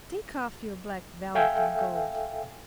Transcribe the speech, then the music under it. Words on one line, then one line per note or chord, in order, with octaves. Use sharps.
Take off your black velvet and gold!
A4 E5 F5 G5 G#5